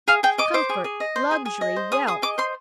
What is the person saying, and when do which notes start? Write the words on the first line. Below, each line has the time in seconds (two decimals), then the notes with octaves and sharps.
Comfort, luxury, wealth!
0.08 G#4 F5
0.23 G#4 G5
0.38 D#5 D6
0.54 C5 D6
0.69 G#4
0.84 G#4
1.00 D#5
1.16 C5
1.31 G#4
1.46 G#4
1.61 D#5
1.76 C5
1.92 G#4 D#6
2.07 G#4 D#6
2.22 D#5 D6
2.38 C5 C6